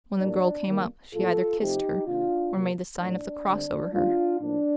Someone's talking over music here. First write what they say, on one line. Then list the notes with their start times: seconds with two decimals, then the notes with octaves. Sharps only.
When the girl came up, she either kissed her, or made the sign of the cross over her.
0.20 A2 G3 A#3 D4
0.66 D#3 G3 A#3
1.13 A2 F3 A#3 F4 A4
1.59 C3 F3 A3 C4 D#4 G4
2.06 C3 D#3 A#3 D4 F4
2.53 C3 F3 A#3
2.99 A2 F3 A3 D4
3.47 D3 G3 C4
3.92 D#3 G3 A#3 D4 F4
4.39 A2 F3 A#3 D4